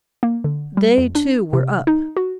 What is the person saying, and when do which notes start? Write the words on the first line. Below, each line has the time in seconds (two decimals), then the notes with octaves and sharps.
They, too, were up.
0.23 A#3
0.44 D3
0.77 G3
0.98 F2
1.15 D4
1.53 C3
1.87 D#4
2.17 F#4